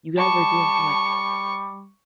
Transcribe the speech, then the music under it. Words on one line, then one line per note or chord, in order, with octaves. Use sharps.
You guys are doing too much."
G3 A5 C#6